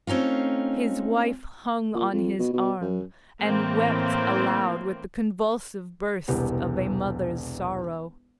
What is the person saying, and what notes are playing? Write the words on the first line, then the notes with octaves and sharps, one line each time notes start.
His wife hung on his arm, and wept aloud with the convulsive bursts of a mother's sorrow.
A3 C4 C#4 D#4 F4
A#2
F2
B2
B2
F#2
A2 E3 A#3 C4
E1 C2 B3 G4